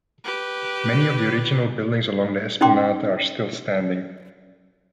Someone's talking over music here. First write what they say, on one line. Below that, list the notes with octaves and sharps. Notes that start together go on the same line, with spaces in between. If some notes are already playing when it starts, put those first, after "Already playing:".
Many of the original buildings along the esplanade are still standing.
G4 B4
C#4 D#4 G5 A#5 C6 D6